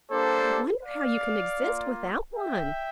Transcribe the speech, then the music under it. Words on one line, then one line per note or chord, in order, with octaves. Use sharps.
'I wonder how you can exist without one.
G3 A#3 D4 G4 A4 C5
D5 F5
A#3 F4
E5 G5